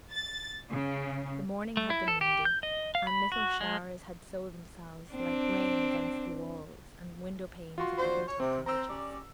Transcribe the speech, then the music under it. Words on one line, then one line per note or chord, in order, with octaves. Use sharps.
The morning had been windy, and little showers had sowed themselves like grain against the walls and window-panes of the Hintock cottages.
A6
C#3
A3
E4
A4
G4
G6
D#5
F5
B5
F#4
G#3
C4 D4
F4 F#4 C6
D#2 D4 C5
C#5
C3 C4
C4 A#5 E6
C#4 G4 D5